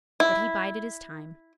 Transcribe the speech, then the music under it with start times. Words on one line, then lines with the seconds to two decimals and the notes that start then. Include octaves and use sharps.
But he bided his time.
0.20 E4